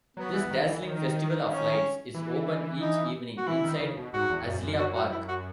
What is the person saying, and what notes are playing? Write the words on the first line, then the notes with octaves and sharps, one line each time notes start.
This dazzling festival of lights is open each evening inside Azalea Park.
F#3 B3
E3
D#3
E3
D#3
C#4
E3
D#4
F#4
E3 E4
D#3
C#3
B2
G#2 F#4
E2
F#2
F#2
F#4
F#4
E4
F#4